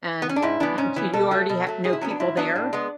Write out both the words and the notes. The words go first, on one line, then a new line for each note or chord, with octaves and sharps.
and h d you already h know people there
B3
C#4
D4
G#2 E4
E3 B3 D4
G#2 C#4
E3 B3
B2 A4
F#3 A3
B2
F#3 A3
G#2 G#4
E4
F#3 B3 C#4
D4
G#2 E4
F#3 B3 D4
A2
G#3 B3